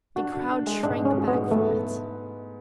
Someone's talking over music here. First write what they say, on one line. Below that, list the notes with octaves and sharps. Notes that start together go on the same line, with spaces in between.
The crowd shrank back from it.
D4 F#4
D4
D4
G#3
G#2 D4
G#3 C#4
F#4
B3
G#2
A3 B3